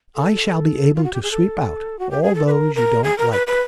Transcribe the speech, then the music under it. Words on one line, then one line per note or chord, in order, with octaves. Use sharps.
'I shall be able to sweep out all those you don't like.
A4
F4
F#4
G4
G#4
A4
F#4
G4
G#4
A4
B4
A#4
A#4
G#4
A#4
B4
B4